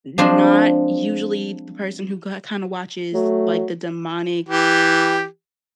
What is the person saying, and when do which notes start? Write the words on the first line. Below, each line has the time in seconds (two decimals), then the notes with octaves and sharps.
n not usually the person who ki kinda watches, like, the demonic,
0.18 F3 G#3 C4 D4 C5
3.14 F#3 A3
4.49 E3 G4